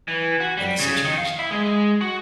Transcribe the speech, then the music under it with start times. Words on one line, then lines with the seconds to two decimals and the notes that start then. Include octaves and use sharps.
in this situation."
0.08 E3
0.40 F#4
0.57 G3
0.79 C#3
1.05 D#3
1.18 F5
1.39 E4
1.51 G#3
2.01 F#4